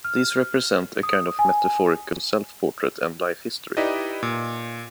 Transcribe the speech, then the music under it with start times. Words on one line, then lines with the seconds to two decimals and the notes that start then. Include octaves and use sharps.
These represent a kind of metaphorical self-portrait and life history.
0.05 F6
1.03 D#6
1.39 G#5
3.77 D#4 E4 G4 B4 D5 D#5
4.23 A#2